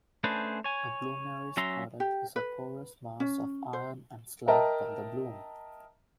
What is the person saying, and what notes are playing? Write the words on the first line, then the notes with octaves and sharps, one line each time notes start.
A bloomery's product is a porous mass of iron and slag called a bloom.
A3 C#4 D4 G#4 B4 C5
C#5 G#5
F#3 C#4 E5 A#5 C6
G4
B4
C#4
C5
A#4 D#5 E5 G5 A5 A#5